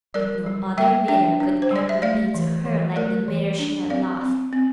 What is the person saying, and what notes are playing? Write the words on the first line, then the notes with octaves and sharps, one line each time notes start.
But no other mirror could ever be to her like the mirror she had lost.
G3 A#4 D5
G3
G3 E5 G5
D4 E5 G5
D4
C5
G3 D5
E5
A3 D5 F5
E3
E3
A3 A#4 D5
E3
D4
C4 D5 F5
C4
C4